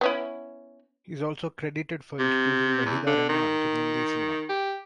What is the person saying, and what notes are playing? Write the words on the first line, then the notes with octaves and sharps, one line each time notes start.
He is also credited for introducing Waheeda Rehman to the Hindi cinema.
B3 C#4 E4
C3
E2
D3
D#3
G4